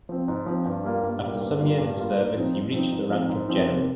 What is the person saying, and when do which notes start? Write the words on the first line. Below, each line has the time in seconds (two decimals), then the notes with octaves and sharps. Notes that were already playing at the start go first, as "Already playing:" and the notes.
After some years of service, he reached the rank of general.
0.09 F3 C4
0.28 G#2
0.46 F3 C4
0.65 G2
0.84 G3 A#3 F4
1.03 G2
1.22 G3 A#3 F4
1.41 G2
1.59 G3 A#3 F4
1.78 G2
1.97 G3 A#3 F4
2.16 G#2
2.35 F3 C4 D#4
2.54 G#2
2.72 F3 C4 D#4
2.91 G#2
3.10 F3 C4 D#4
3.29 G#2
3.48 F3 C4 D#4
3.67 C3